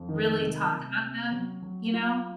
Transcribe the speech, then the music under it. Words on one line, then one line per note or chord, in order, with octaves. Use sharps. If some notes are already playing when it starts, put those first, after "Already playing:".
really talk about them, you know?
Already playing: F2
D#3
C3
C3
C4
F#3
F#3
F4